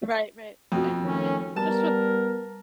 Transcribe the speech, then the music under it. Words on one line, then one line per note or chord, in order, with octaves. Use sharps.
Right right, and and just with
F2 B2
D#3 A3 C#4
G3 B3 A#4 A5